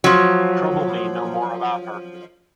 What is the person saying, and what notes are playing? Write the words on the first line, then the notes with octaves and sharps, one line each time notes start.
Trouble me no more about her.
F3 F#3